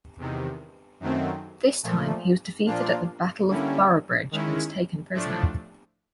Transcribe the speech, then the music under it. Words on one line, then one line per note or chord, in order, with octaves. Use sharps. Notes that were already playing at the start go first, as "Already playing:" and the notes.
This time he was defeated at the Battle of Boroughbridge, and taken prisoner.
E2 C3 D#3
F#2 D#3 F#3 A3 C4
A#2 F3 A3
A#2 F3 A#3 D4 F4
D3 G3 A#3 C#4 E4
D#3 G#3 C#4 E4
A2 F3 A3 D4